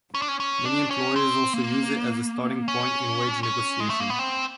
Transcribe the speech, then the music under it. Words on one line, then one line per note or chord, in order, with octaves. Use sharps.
Many employers also use it as a starting point in wage negotiation.
C#4
D4
C#4
C#4
D4
C#4
C4
A#3
C#4
C#4
G#3
A3
A#3
B3
C4